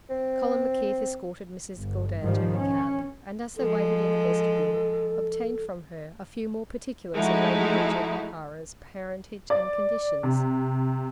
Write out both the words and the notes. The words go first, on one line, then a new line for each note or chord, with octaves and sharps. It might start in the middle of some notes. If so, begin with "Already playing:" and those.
Colin McKeith escorted Mrs Gildea to her cab and as they waited in the vestibule, obtained from her a few more particulars of Lady Bridget O'Hara's parentage and conditions.
C4
G1
G#2 D#3 F3 G3
C#4
F3 G#3 A4
F3 G#3 A3 D#4 E4 F#4
D5
C3